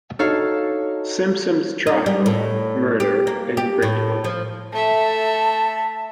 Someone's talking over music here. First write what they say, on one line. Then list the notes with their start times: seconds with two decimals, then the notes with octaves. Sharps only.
Simpson trial, "Murder in Brentwood".
0.19 D4 D#4 F#4 A4 C#5 F5
1.87 D#4
2.06 G3
2.26 A2
3.00 G4
3.27 A#3
3.57 G4
3.82 A2
4.24 F3
4.73 A3 E5 A5